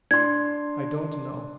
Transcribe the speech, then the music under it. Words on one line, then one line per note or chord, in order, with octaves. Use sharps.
'I don't know.
D4 C6 G#6